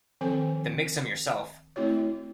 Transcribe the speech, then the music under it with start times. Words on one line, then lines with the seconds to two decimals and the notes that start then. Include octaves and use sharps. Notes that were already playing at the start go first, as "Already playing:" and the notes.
Then make some yourself.
0.21 D#3 F3 C4 A4 C5 G#5
1.76 A3 C4 E4 F#4 C#5